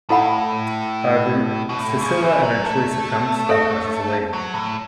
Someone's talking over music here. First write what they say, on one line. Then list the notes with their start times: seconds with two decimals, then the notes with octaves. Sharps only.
However, Susila eventually succumbs and passes away.
0.09 A2 E4 A4 F#5 B5
1.69 B2
1.79 A2
2.01 C#3
2.21 E3
2.43 F#3
2.64 A3
3.49 A4 C#5 E5
4.33 F#3
4.54 A2